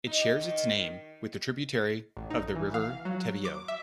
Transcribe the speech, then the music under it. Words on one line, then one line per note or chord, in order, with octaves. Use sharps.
It shares its name with a tributary of the River Teviot.
D#4
G4
D#3
A1
D#4
E3
F5
F#3
D6
E5